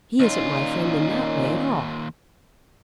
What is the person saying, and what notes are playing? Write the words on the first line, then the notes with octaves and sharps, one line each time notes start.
"He isn't my friend in that way at all."
D#2 A#2 C#4 D#4 F4